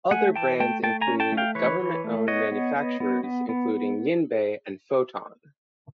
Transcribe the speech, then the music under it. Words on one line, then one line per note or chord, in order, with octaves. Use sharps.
Other brands include government owned manufacturers including Jinbei and Foton.
A3 F#5 G#5
E3 G5 A5
A3 G5 A5
A3 G5 A5
G#5 A#5
C#4
G5 A5
A3
F5 G5
E3 B4 C#5
E3
A3
B3 C#5 D#5
B3
B3
B3
B3
B3